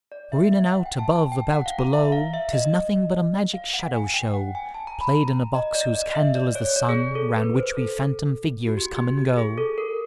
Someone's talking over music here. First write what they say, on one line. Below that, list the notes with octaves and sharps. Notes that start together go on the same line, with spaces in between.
For in and out, above, about, below, 'Tis nothing but a Magic Shadow-show, Play'd in a Box whose Candle is the Sun, Round which we Phantom Figures come and go.
D5
E5
E5
F#5
G5
A5
A5
G5
F#5
F5
A#5
E5
E5
F5
E5
D#5
F5
F#5
G#5
G5
F#5
G#5
A5
A#5
B5
A#5
D#5
D5
D#5
E5
D5
C#5
D5
G#4
A4
B4
C5
A4
F#4
G4
G4
G4
G#4
A4
A#4